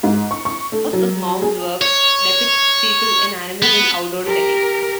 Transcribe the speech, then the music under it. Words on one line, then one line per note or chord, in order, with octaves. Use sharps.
Most of Mauve's work depicts people and animals in outdoor settings.
G#2
C#6
C#6
A3
F#3
G#4
C#5
B3
G4 A#4